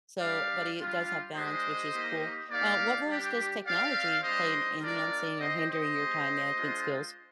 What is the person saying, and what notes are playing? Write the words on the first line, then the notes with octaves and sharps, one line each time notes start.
So but he does have balance, which is cool. Uh, what roles does technology play in enhancing or hindering your time management skills?
G3 D4 G4 D5 F5
G3 D4 F4
G#3 D4 G4 C5 D#5
A#3 D#4 G4
A#3 D#4 G4 D5 F5
G3 D4 G4
C4 G4 D5 F5
G3 D4 G4 C5 D#5
G#3 D4 F4 A#4 D5
C4 G4 C5 D#5
C5 D#5
G#3 C4 G4
G#3 D4 F4